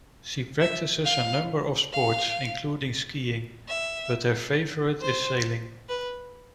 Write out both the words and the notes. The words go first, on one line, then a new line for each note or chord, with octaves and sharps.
She practices a number of sports including skiing, but her favorite is sailing.
E5
F5
F5
E5
C5
B4